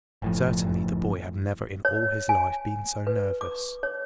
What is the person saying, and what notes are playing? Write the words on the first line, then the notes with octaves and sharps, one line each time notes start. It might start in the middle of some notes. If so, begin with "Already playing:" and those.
Certainly the boy had never in all his life been so nervous.
F#1 A2 F3
C#5
G#5
B4
D6
C#5